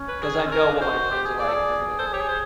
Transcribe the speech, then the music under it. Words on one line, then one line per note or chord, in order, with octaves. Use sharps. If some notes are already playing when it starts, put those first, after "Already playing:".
'cause I know what my friends are like. They're gonna
Already playing: C#4
B4
G#4
C4
C#4 A#4
D4
F#4 C5
G4
G#4
G#4 D5
A4
G#4
A4 C5
G#4
G4 C#5
G#4
C5